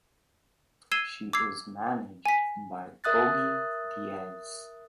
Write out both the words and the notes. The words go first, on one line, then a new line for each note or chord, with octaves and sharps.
She is managed by Ogie Diaz.
E6 G#6 C7 D#7 E7 G7
D6 E6 G#6 C7
G#5 B6
A#4 E5 D#6 F#6 A6